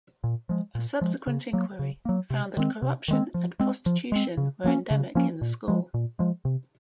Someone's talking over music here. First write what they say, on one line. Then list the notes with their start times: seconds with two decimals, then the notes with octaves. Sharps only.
A subsequent inquiry found that corruption and prostitution were endemic in the school.
0.24 A#2
0.49 F3 G#3
0.75 A#2
1.01 F3 G#3
1.27 C#3
1.53 F#3 A#3
1.79 C#3
2.05 F#3 A#3
2.30 C3
2.57 D#3 G#3 C4
2.82 C3
3.08 D#3 G#3 C4
3.34 F3
3.60 G#3 C4
3.86 F3
4.12 G#3 C4
4.37 C#3
4.64 F3 A#3 C#4
4.91 C#3
5.15 F3 A#3 C#4
5.41 A#2
5.68 F3 G#3
5.94 A#2
6.19 F3 G#3
6.45 C3